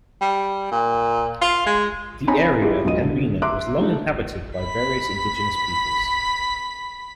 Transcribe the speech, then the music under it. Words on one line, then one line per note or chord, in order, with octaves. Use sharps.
The area of Pembina was long inhabited by various indigenous peoples.
G3
A#2
F4
G#3
C4 D#4 C#5 G#5 A#5 B5
E4 F4 G4 G#4 D#5
E1 B1 G#2 F4 D#5 D#7
D3
E5 A#5 C6 D6 F#6
F3 G#3 A3 D#4
B5 B6